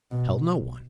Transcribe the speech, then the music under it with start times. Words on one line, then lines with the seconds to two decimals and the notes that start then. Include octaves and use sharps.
Tell no one.
0.11 B2